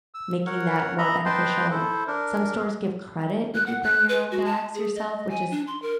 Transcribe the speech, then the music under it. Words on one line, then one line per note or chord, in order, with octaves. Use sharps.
making that more beneficial, and some stores give credit if you bring your own bags yourself, which is
E6
A#4 C#5 F#5
D#5 E5 A#5 B5
B4 C5 D#5 G5 A5 C6
E4 A4 C5
D4 A#4
F#6
F#5
F#6
B4
F#4
A5
G#4
D#5
G#5
D4
C6
A#4